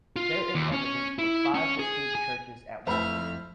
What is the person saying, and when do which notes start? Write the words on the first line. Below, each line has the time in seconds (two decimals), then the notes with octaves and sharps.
There is evidence for five distinct churches at Waltham.
0.16 F4
0.55 D#2
0.72 C#4
1.19 E4
1.54 C#4
1.79 G#4
2.15 G#5
2.87 F2 A3 E4 C5 A5 B5 F6